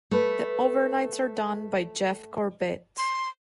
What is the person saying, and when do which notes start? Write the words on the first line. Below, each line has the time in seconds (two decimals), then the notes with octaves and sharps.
The overnights are done by Jeff Corbett.
0.11 A3 B4
2.98 C6